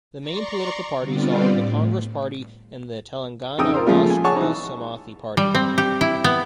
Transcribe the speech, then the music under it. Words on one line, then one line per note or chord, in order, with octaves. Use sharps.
The main political parties are the Congress Party and the Telangana Rastra Samathi Party.
D5 A#5 C6 C#6
D3 G3 B3 C4 F4 D5
A2
F2 C#3 D#4 G5 D#6 E6
F4 A#4 C5
A#2 C#3 F3 G#3 A3 F4
G#5
G#4 C#5 F#5 G#5 A5 C#6
E3 D#4
G3
C4
G4
E4
B3